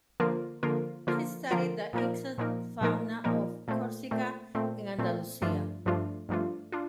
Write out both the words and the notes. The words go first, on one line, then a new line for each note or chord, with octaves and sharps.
He studied the insect fauna of Corsica and Andalusia.
D3 F3 A#3 F4 A#4
D3 F3 A#3 F4 A#4
D3 F3 A#3 F4 A#4
D3 F3 A#3 F4 A#4
A#2 F3 A#3 D#4 A#4
A#2 F3 A#3 D#4 A#4
A#2 F3 A#3 D#4 A#4
A#2 F3 A#3 D#4 A#4
A#2 A3 C4
A#2 A3 C4
A#2 A3 C4
A#2 A3 C4
G2 F3 A3 D4 F4
G2 F3 A3 D4 F4
G2 F3 A3 D4 F4
D4 F4